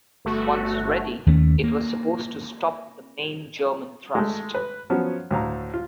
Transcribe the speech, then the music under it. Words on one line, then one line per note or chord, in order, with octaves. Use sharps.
Once ready, it was supposed to stop the main German thrust.
G1 A3 F#4
D#2 D#3 A3 C#4
A#3
G#3 A3
B4
F3 F#3 B3 C#4
D2 A2 F5 A#5
F4